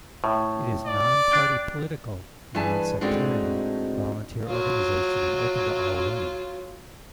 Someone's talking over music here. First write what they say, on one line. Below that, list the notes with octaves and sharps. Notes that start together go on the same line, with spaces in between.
It is non party political, non sectarian, volunteer organisation and open to all women.
A2
D5
D4 G5
G2 E3 G#4 B4 G#5 A5
A2 G#3 C4 D4 D#4 F#4
F#3 F4